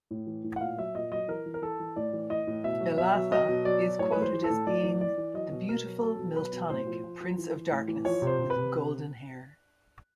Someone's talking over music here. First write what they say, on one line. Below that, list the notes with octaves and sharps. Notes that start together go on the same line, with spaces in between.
Elatha is quoted as being the "beautiful Miltonic prince of darkness with golden hair".
A2
E3
A2
F#5
A#2 F5
F#3 E5
A#2 D#5
F#3 D#5
E3 A#4
E3
A#4
E3 A4
E3
A2 D5
E3
E3 D#5
A2
B2 E5
F#3
B2 E5
F#3
F#3 D#5
B2
F#3 D5
F#3
A2 C#5
E3 B4
C5
E3
A4
A2
A2 D5
E3
E3 D5
E3
F#3 D#5
B2
B2 A#4
F#3
F#3 A4
B2
F#3 B4
B2
A2 C5
F3
F3
F3
E3
E3
A2
E3
F3 C#5
C3
C5
C3
B4
C3